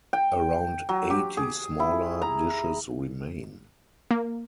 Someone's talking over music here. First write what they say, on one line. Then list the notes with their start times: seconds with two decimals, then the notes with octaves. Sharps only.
Around eighty smaller dishes remain.
0.13 G5
0.89 F#3
1.10 G4
1.37 G#4
1.80 E4
2.22 A#5
4.11 A#3